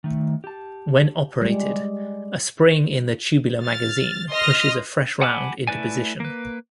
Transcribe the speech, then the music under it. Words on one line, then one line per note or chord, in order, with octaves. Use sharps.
When operated, a spring in the tubular magazine pushes a fresh round into position.
D#3 A3
G4 A5
G3 G#3
F6 A6
D#5 C6 D#6 F6 A#6
F#5 G#5 A5 B5 D6
A3 E4 B4 D5 G#5
A#3 B4